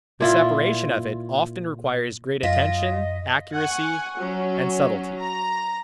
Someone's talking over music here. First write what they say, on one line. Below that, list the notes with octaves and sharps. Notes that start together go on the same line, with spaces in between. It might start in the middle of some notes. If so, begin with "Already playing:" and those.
The separation of it often requires great attention, accuracy, and subtilty.
A#2 E4 F4
F#2 F4 D#5 A#6 B6
F#5 G#5 C#6
F#3 C#4
A#5